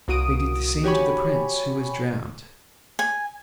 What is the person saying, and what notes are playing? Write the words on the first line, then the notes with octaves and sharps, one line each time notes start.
They did the same to the prince, who was drowned.
C2 A#3 F#4 D#6 D7 D#7
F#4 G4 C#5 G#5 B5 C#6
G#5